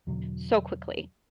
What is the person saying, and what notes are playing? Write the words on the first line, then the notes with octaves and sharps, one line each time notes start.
so quickly.
E2 B2 D3 F#3